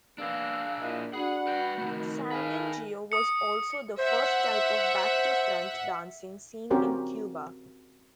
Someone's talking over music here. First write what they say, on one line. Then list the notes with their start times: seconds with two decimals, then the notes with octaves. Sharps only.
Sandungueo was also the first type of back-to-front dancing seen in Cuba.
0.18 G#3 A#3 B3 D4 G#4 F5 E6 F#6
0.80 A#2 E4 D#5
1.14 D4 F#4 G#4 F#5 B5
1.47 B4 G5
1.78 C3 D#3 A3
2.31 G#4 A4 B4 F5 G#5 B5
3.12 D#6 C#7
3.98 C5 E5 F#5
6.70 C4 C#4 F#4 G4 A#4 C5